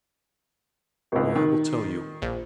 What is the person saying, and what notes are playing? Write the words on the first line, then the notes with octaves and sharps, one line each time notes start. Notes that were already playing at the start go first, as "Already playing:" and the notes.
Well, I will tell you.
G#1 C#2
D#3
A#1